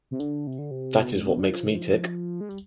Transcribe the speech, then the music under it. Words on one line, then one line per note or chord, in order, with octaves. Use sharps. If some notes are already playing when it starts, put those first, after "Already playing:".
That is what makes me tick.
C3
D3
C3
D3
C3
B2
G#2
B2
D3
F3
D#3
F3
G#3
G3